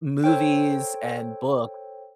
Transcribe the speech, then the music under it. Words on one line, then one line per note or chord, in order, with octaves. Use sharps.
movies and books,
A4 C5 C#5 G5